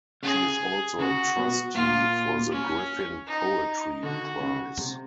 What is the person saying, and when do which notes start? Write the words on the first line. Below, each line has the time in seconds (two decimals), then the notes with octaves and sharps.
She is also a trustee for the Griffin Poetry Prize.
0.23 C#3 G#4
0.99 C#3 F#4
1.37 B2
1.75 A#2 F4
2.51 C#4
3.27 D#4
4.03 D3 F#4
4.41 C#3
4.78 C3